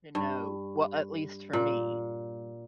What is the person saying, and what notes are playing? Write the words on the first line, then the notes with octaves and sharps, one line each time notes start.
to know well, at least for me.
G2
A#2